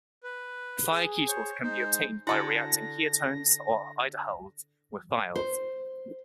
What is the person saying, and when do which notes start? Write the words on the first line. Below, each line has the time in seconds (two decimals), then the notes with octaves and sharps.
Thioketals can be obtained by reacting ketones or aldehydes with thiols.
0.24 B4
0.92 G#4
1.28 C5 C#5
1.63 G#3 D#4 C5
2.27 D3 E4 F#4 A4 F#5 G#5 A#6
5.36 C5